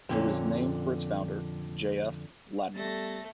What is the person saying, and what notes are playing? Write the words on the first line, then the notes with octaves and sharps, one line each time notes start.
It was named for its founder, J. F. Latimer.
F2 A#2 D3 C#4
G3 A3 B3 A4 A6 A#6